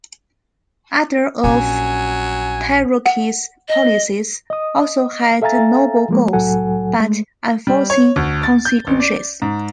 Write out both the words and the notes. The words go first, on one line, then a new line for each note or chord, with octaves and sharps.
Other of Terauchi's policies also had noble goals but unforeseen consequences.
A#1 F#3 C#4 G#5
F#5
D#5
D#5 D#6
A4 E5 F5 G#5 A#5 A6
F3 G#3 A#3
C2 A2 F#3 A4 F#5 G#5
G#3 A3
G3
C#5
D2
A6
G6
A1
D5
G#2